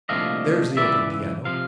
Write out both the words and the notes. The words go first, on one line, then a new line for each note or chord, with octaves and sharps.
There's the open piano.
C2 A#2 F3 A3 D4 D#5 F5
C#2 C3 E3 D5 E5
C3 F3 F5